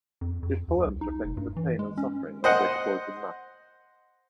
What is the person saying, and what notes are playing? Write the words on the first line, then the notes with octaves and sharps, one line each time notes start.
His poems reflected the pain and suffering of the exploited masses.
F2
F2
D#2
C2
D#4
F1
G2
E3
G#3
C#4
C5 D#5 F#5